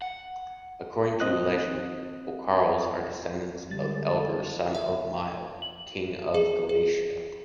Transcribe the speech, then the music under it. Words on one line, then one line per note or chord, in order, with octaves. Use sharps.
According to the legend, O’Carrolls are the descendants of Eber, son of Mile, king of Galicia.
F#5
C4 D#5 F#6
D3 G3 G#3 A6
E5
F#7
G#4
G#4